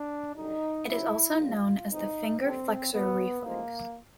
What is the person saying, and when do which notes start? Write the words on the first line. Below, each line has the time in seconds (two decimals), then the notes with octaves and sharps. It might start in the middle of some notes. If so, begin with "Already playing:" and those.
It is also known as the finger flexor reflex.
Already playing: D4
0.35 F#2 D3 G3 D#4
0.86 D#2 C#3 F#3 E4
1.37 A#1 G#2 D#3 G3 F4
1.88 F2 C3 E3 G#3 D#4
2.39 D#2 D3 G3 C4
2.91 B1 A#2 F#3 B3
3.42 A1 G#2 F3 G#3 A#3